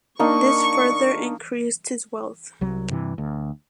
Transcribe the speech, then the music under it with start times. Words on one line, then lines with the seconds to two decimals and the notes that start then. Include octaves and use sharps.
This further increased his wealth.
0.19 A#3 D4 D#4 C#6
2.61 C2 F#3
2.90 G2 C3 E3
3.18 D2